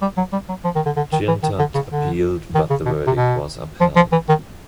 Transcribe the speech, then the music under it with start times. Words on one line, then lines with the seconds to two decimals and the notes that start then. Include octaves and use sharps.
Jeantot appealed but the verdict was upheld.
0.01 G3
0.17 F#3
0.32 G3
0.49 F#3
0.64 F3
0.75 D#3
0.86 D3
0.96 D3
1.12 D#3
1.28 E3
1.43 D#3
1.59 D3
1.75 C#3
1.91 D3
2.55 D#3
2.70 C#3
2.85 B2
3.07 C3
3.17 B2
3.80 F3
3.96 F3
4.12 E3
4.29 D#3